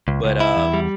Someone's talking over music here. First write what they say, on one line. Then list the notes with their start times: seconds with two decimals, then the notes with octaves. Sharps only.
But, um,
0.08 C#2
0.24 C#2
0.40 E4
0.56 E2
0.74 G3